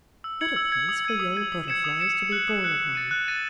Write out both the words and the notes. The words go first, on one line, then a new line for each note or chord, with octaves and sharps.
What a place for young Butterflies to be born upon!
E6
G#6 C#7 F#7
E6
G#6 C#7 F#7
D#6
G#6 D#7
D#6
G#6 D#7
D#6
G#6 C#7 E7
D#6
G#6 C#7 E7
D#6
F#6 C#7 F#7
D#6
F#6 C#7 F#7
F#6
A6 D#7
F#6
A6 D#7